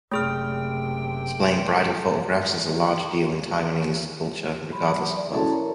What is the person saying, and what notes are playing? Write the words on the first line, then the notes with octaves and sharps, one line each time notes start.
Displaying bridal photographs is a large deal in Taiwanese culture, regardless of wealth.
F#1 C3 A3 G#4 G5 F6
F#3 B5 C6
D5
C#4 E4 F#4 G#4 A4 A5
A#4 C#5 A#5